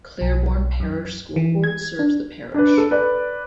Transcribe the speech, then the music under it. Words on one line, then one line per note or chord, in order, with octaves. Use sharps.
Claiborne Parish School Board serves the parish.
B1
F#2
E3
G#6
D4
D4 B4
A4
B4 D5